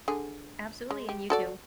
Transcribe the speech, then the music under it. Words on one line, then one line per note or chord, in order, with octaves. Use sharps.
Absolutely. And you too.
D3 G#4
G#3
G4
F#4 A4 D5